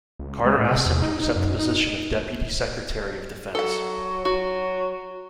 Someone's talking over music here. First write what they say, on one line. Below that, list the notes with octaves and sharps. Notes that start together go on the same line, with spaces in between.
Carter asked him to accept the position of Deputy Secretary of Defense.
C#2
G#3
A2
C3
E2
D#4
D#4
F#2
D#4
F#3 A4 F#5
F#3 F#4